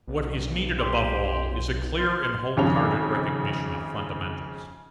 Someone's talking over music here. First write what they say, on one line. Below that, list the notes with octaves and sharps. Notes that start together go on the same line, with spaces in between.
What is needed above all is a clear and wholehearted recognition of fundamentals.
B1
G4 C#5 C6
C6 F6
G#1 F2 C#3 C#5 A5 F7